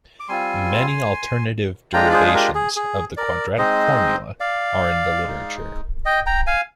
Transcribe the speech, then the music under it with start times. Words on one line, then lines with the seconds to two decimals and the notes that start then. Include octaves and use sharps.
Many alternative derivations of the quadratic formula are in the literature.
0.20 D6
0.28 G3 C4 F4 G#5 C6
1.93 G#3 D4 F4 G5 A#5
2.09 D5
2.13 G#4 C5
2.27 G#4
2.34 G4 A#4
2.55 G#4
2.76 G#4
3.17 A#4 D5
3.58 G#3 C4 D#4 C5 D#5
4.40 D5 F5
5.23 G#3 D#4
6.05 D#5 G5
6.26 G5 A#5
6.47 F5 G#5